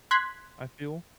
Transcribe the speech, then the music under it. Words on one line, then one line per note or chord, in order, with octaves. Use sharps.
I feel.
C6 F#6 G#6 B6